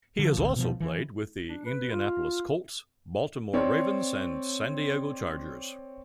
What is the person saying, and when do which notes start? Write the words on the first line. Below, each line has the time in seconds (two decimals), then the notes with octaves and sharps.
He has also played with the Indianapolis Colts, Baltimore Ravens and San Diego Chargers.
0.19 D3 F3
0.37 A1 D2
0.56 B2 F3
0.80 E3
1.48 D4
1.66 B4
1.92 F4
3.53 C4 C#5 D5